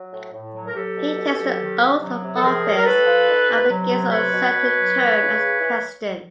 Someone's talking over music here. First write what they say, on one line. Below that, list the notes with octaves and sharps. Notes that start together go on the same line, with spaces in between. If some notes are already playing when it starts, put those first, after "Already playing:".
He takes the oath of office and begins an uncertain term as President.
Already playing: F#3
A2
A2
F#3
A#4
F#3 G4 A4
B2
B2
F#3
D#3
C3
F#3
C3
A4
F3 G#4 A#4
A2
A#4
A2 A4 B4
F3
D#3
C3
F#3
C3
F#3 B4 C#5
B2
B2
F#3
E3
C#3
C#3
E3